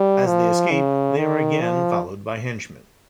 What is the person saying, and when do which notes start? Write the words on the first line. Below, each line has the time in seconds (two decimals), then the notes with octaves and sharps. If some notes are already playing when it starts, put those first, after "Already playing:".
As they escape, they are again followed by henchmen.
Already playing: G3
0.27 F3
0.71 C#3
1.17 D#3
1.62 F3